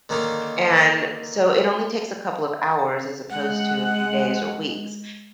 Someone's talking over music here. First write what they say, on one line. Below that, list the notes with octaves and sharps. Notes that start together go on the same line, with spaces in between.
And so, it only takes a couple of hours as opposed to a few days or weeks.
D3 D#3 A#3 C#4 D#4
G#3 F#5